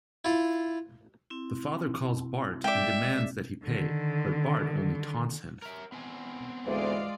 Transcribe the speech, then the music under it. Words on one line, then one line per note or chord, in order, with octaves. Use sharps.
The father calls Bart and demands that he pay, but Bart only taunts him.
E4 F4
C4 E4
G#3 D5 E5 G5 D6
D3 D#3
A#4 E5
B3 C4 G#5
D2 G#2 E3 G#3 F4 D5